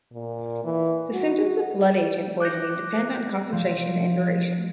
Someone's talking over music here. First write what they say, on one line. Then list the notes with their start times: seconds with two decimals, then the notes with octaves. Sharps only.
The symptoms of blood agent poisoning depend on concentration and duration.
0.12 A#2
0.65 E3
1.12 F#4
2.40 D6 F#6 G6 A#6
3.52 F3